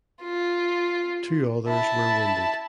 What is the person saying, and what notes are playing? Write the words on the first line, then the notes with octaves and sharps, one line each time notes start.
Two others were wounded.
F4
E4 A5